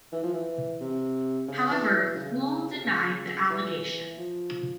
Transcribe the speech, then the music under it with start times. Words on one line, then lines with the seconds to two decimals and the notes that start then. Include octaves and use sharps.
However, Gul denied the allegations.
0.13 E3
0.23 F3
0.33 E3
0.81 C3
1.48 C#3
1.71 E3
1.93 E3
2.16 C#3
2.72 C3
2.83 C#3
3.50 E3
4.18 F3